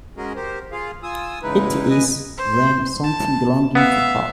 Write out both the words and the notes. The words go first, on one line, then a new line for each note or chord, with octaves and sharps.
It is, then, something belonging to her.
G#3 C#4 F#4 G#4 A#4 D#5
G4 A#4 C5
F4 G#4 F5
F4 G#5 D#6 E6
E2 C#3 G#3 D#4 E4 B4
B4 D#5 G#5
C5
A5
B3 E5 F5